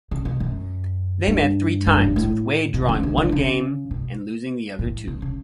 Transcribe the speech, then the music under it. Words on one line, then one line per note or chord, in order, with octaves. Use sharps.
They met three times, with Wade drawing one game and losing the other two.
C#3
B2
F#2
G2
G2
G2
A2
B2
C#3
D3
D3
C#3
B2
A2
C#3
C#3